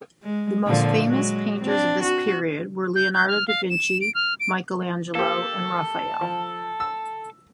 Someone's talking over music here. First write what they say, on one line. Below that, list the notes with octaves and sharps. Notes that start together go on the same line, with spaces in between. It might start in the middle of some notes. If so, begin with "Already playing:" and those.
The most famous painters of this period were Leonardo da Vinci, Michelangelo, and Raphael.
G#3
A#2 D3 F3
F#3 G#3
C4 D4
F#4
G6
G6
F6
F5
E7
D7
F6
D7
A#3 G4 A4
F3
E6